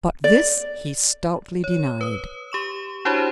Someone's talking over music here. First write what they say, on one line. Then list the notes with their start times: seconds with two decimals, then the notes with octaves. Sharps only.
But this he stoutly denied.
0.24 D5
1.64 C#5
2.01 B4 D#6
2.52 G4 C#6 E7
3.05 D4 E4 F#4 G4 C5 C#5